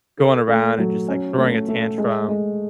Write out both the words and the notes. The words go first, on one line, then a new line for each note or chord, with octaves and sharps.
going around and just, like, throwing a tantrum,
A4
A3
F#3
C#4
A3
A3
G#3
G#3